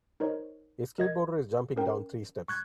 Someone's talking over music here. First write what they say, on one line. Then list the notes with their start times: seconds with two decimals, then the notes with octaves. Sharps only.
A skateboarder is jumping down three steps.
0.20 D#4 A#4 C5 C#5 D#5
0.98 A#4 D#5 G#6
1.76 C#4 A#4 G5
2.48 C#6 F#6 G#6